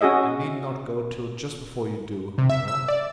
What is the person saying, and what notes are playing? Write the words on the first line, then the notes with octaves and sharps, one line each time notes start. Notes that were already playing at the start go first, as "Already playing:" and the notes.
I need not go till just before you do, you know.
C#4 F#4 G#4 D#5 E5
C3
E5
E6
D5